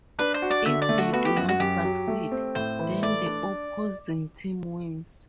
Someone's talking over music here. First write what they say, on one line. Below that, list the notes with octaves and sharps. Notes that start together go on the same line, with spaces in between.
If they do not succeed, then the opposing team wins.
D4 B4
C5
F#4
D5
D3 E5
D5
A3
F#4
B3 F#4
G4
F#2 F#4
F#4
F#2 G4
F#3
A3
C4
A2 C5
E3
A3 D5
D4